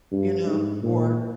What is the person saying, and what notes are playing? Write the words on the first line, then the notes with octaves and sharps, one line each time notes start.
you know, or
G2
G#2
A#2